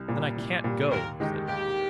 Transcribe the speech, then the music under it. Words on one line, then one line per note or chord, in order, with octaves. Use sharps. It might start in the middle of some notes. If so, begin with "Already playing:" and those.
'Then I can't go,' said he.
Already playing: C2
A#2 G3
C2
A#2 G3
D#2 A#4
D#3 G#3 D#4 G4
D#2 G4